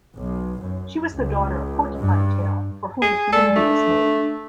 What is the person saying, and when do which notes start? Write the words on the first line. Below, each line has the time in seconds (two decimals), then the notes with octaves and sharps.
She was the daughter of Porcupine Tail, for whom the community was named.
0.15 B1
0.60 F#2
1.13 C#2
1.96 G2
3.02 G#4
3.33 G#3 A4 D5
3.56 A3 D4